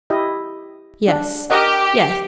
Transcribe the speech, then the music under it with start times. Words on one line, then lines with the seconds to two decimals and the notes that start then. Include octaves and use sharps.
Yes, yes.
0.10 E4 G4 D#5
1.08 D4
1.50 G4 A#4 D#5 F#5